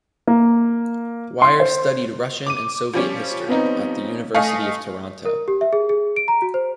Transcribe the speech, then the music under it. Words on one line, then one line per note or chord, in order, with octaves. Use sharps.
Weir studied Russian and Soviet history at the University of Toronto.
A#3
C6
C5
D6 D#7
F3 G3 C#4
B3 C4 D#4
A3 D#5 F5 G#5
A#4
G4
E5
G#4
G#4
D7
A#5
F#4
C5